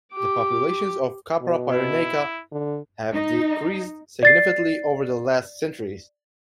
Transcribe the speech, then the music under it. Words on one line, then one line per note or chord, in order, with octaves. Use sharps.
The populations of "Capra pyrenaica" have decreased significantly over the last centuries.
G4 D6
B2
E4
D3
D#4
D5 A6 C7